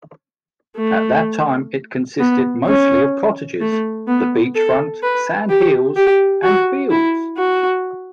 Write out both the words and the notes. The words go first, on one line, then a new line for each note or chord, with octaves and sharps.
At that time it consisted mostly of cottages, the beach front, sand-hills and fields.
A3
B3
C#4
A3
B3
A4
B4
G4
G4
F#4
E4
F#4